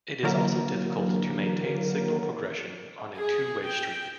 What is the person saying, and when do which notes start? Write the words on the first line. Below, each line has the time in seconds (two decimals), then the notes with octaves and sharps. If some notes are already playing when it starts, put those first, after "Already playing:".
It is also difficult to maintain signal progression on a two-way street.
0.23 D3 E3 F#3 A#3 A#4
3.18 G#4
3.64 G5